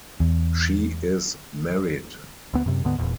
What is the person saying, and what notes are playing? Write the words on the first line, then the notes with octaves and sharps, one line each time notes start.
She is married.
E2
D2 B3
F#2 C3
D2 G#2 D3 B3
D#1 E2 A#2